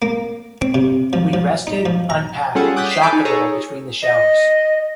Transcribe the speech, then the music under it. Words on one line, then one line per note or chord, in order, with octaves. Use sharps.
We rested, unpacked, and shopped a little between the showers.
A#3
C4
C3
F3
F3
D#4
F3
A#5
G3 C#4 F4 G#4 A4 F#5
D6 D#6 F#6 G6 A6 B6
B6 C7
G#5 A5 B5 D6 G6
D#4
G#4 A4 C#5 A#5 D#6
D#5